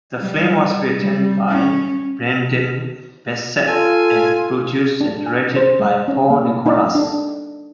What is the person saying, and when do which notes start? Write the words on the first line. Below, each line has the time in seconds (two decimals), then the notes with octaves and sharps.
The film was written by Brendan Beseth, and produced and directed by Paul Nicolas.
0.20 G3
0.99 G3
1.48 C#4
3.67 F4 A4 G#5
5.01 D4
5.26 G#5
5.56 C5
5.80 G#3
6.08 C#4
6.30 A#3
6.66 D#4
6.95 D4